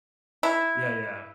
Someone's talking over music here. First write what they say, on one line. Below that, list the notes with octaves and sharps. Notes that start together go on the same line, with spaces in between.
yeah yeah
E4